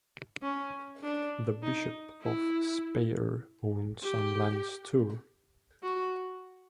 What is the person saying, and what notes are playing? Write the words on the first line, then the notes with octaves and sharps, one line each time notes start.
The bishops of Speyer owned some lands, too.
C#4
D4
D#4
E4
G4
F#4